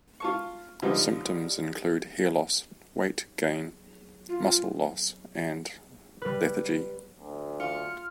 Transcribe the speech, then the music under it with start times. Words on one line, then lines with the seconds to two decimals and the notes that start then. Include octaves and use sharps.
Symptoms include hair loss, weight gain, muscle loss, and lethargy.
0.20 F4 A5 C#6
0.82 D3 F3 G3 D#4
4.29 F4
6.22 G3 B4
7.19 D2
7.60 F4 F6 C#7